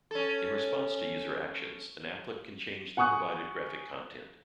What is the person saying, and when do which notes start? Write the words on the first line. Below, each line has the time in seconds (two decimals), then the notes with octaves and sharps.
In response to user actions, an applet can change the provided graphic content.
0.11 C#4 A4
2.97 F#5 G#5 C#6 D#6 F#6